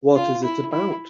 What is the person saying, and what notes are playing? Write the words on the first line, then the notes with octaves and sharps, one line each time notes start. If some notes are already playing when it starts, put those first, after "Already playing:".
What is it about?
F4
E4
E4